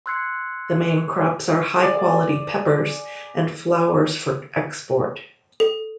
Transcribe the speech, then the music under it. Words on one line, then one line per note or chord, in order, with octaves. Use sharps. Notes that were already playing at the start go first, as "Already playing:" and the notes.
The main crops are high quality peppers and flowers for export.
C6 E6 F#6 G#6 C7 C#7
G#4 D5
A4